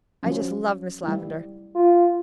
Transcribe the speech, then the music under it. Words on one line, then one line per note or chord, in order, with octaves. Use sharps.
I just love Miss Lavendar.
F3 F#3 C#4
G3 A3 E4
F4